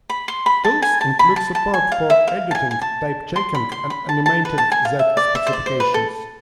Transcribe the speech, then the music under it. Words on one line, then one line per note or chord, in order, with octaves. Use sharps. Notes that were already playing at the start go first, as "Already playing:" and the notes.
Tools include support for editing, typechecking and animating Z specifications.
B5
C6
B5
A5
G#5
A5
B5
A5
A5
G#5
F5
E5
F5
A5
G#5
G#5
A5
C6
B5
C6
B5
A5
A5
B4
A5
G#5
F5
E5
D5
E5
C5
D5
C5
B4
A4